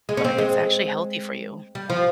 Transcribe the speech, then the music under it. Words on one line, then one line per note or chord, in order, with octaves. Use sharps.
but it's actually healthy for you.
G#3
C#4
C4
G#3
G3
F3